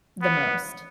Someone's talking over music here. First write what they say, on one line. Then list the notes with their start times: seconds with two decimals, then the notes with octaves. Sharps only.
the most.
0.22 B3